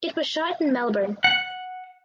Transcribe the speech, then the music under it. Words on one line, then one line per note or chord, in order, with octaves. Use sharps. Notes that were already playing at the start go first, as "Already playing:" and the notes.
It was shot in Melbourne.
F#5